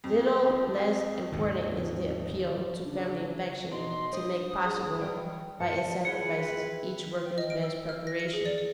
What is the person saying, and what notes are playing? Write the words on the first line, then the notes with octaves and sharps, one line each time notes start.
Little less important is the appeal to family affection to make possible by its sacrifices each worker's best preparation.
F2
D#2 G#2 C#3
C#3 D4
B2 D#4 D5 D#5 C6
G3 D4 B4 C5 D#6
G#4
E3 F#3 G3 G5
G2 E3 B4 A5 C#7
E4 F4 G#4 B4 G5 C#7
G5
D#5
D7
E6
F6
A#6
C#7
G#4
D5
D5